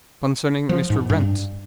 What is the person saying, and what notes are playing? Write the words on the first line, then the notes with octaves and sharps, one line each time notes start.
"Concerning Mr. Wrent."
F3
G#2
G2